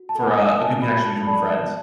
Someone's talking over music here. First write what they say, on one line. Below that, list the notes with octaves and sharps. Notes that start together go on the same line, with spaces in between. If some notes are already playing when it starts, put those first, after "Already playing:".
for a a good connection between friends.
Already playing: F#4
A5
A4
F#5
G#5
D5
G#5
F#4 A5
F#4 B5
A4 A5
B5
D5 A5
F#4